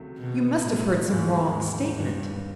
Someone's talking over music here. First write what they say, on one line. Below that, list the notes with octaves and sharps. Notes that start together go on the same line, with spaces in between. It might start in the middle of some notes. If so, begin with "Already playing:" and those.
'You must have heard some wrong statement.
Already playing: C#2 C3 D#3 F#3 A3
B2
A2
D#2 G#2 D#3 G#3 C4
G#2
G2